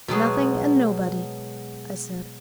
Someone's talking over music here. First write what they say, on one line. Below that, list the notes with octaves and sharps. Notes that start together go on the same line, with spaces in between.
"Nothing and nobody!" I said.
B2 F#3 G#3 G#4